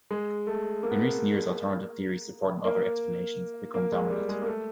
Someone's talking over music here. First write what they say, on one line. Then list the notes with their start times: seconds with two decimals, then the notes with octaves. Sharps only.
In recent years, alternative theories supporting other explanations have become dominant.
0.11 G#3
0.47 A3
0.83 A#3
0.91 B3
0.99 A#3
2.64 A#3
3.74 A#3
3.92 G#3
4.10 G3
4.29 G#3
4.42 A#3
4.46 A3